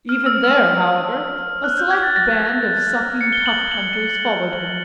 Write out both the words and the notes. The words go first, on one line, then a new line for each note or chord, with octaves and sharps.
Even there, however, a select band of sucking tuft-hunters followed him.
F6
E6
F6
F#6
G6
G#6
A6
A#6
C#7
G7
F#7
F#7